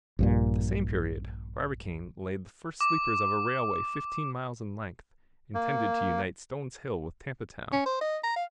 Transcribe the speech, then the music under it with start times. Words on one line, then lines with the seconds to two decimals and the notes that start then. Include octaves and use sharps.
At the same period Barbicane laid the first sleepers of a railway fifteen miles in length, intended to unite Stones Hill with Tampa Town.
0.19 A#1 G2 A#2
2.81 D6
5.55 A#3
7.73 C#4
7.86 C5
8.01 D#5
8.23 A#5
8.36 F5